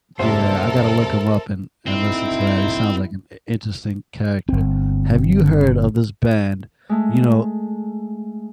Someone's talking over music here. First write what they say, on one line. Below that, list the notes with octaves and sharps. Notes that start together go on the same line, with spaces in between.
Yeah, I gotta look him up, and and listen to that, he sounds like an i interesting character. Have you heard of this band? You know,
F#1 C2 A4 A#4 C5 E5
D2 C4 D#4 E4
G1 C4
G#3 A3